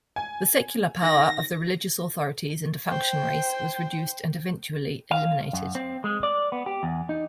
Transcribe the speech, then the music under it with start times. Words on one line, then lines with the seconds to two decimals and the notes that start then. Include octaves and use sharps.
The secular power of the religious authorities and functionaries was reduced and eventually eliminated.
0.16 G#5
1.02 D#3 A#6
2.89 C5 G5
5.11 F5
5.53 F#2
5.75 C4
6.04 G#3
6.23 D5
6.52 B3
6.66 G4
6.83 E2
7.09 D#4